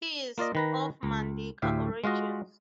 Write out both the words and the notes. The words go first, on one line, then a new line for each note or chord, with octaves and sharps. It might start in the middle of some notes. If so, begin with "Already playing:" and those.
He is of Mandinka origins.
A#3 F4 D5 D#5
D#3 B4 A#5
C#2
D2 A2 G4 E5 F5
G#3 F4 F#4 D#5